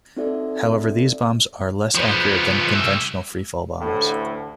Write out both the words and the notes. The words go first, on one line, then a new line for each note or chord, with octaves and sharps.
However, these bombs are less accurate than conventional free-fall bombs.
C4 D#4 F#4 A4 D5 E5
F3 B3
G3 E5
A1 D2 A2 A4